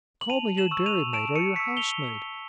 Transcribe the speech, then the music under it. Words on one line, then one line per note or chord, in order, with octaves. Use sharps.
Call me your dairymaid or your housemaid.
F#7
A5 D#7 F7
E7 F#7
C#6 E6
D#7 F7
A5 D7 E7
C#7 D#7
C#6 E6 B6 C#7
F7 G7